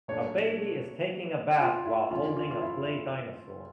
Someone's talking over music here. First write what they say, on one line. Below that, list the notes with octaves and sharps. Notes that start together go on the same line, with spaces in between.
A baby is taking a bath while holding a play dinosaur.
A#2 A3 D4 C#5
F4
E4
E2 D3 A3 C#4 F4
F4
F4
E4